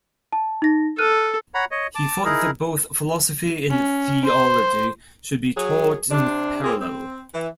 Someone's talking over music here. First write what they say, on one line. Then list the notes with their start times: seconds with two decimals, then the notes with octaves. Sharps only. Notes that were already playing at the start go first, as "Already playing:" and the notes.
He thought that both Philosophy and Theology should be taught in parallel.
0.33 A5
0.62 D#4 A#6
0.98 A4 F6 F#6 D#7
1.54 C#5 F#5 A#5 B5
1.71 C#5 D#5
1.95 A5 D6
2.25 D#4 E4 G#4 A#4
3.71 C#4
4.25 C5
5.56 F#3 G#4
6.10 C3 D4
6.63 A#3 C4 F4 G#4
6.79 C4
7.32 E3